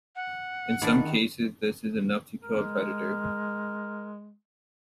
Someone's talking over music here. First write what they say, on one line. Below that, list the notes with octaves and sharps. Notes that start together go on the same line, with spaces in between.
In some cases this is enough to kill a predator.
F#5
D#3 D4 E4 G#4
G#3 A#4